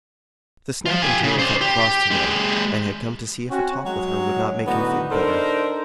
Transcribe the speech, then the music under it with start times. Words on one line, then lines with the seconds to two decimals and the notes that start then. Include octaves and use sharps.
The Snapping Turtle felt cross to-day, and had come to see if a talk with her would not make him feel better.
0.86 F3 F4
1.02 G4 G#5
1.23 C#3
1.39 C5 D5
1.61 G4
2.11 G#3 G4
3.50 C4 C#4 F#4
3.85 F#3 G#3
4.65 A2 D3 B3 D#4 F#4
5.11 D4 D#4 A4 A#4 C5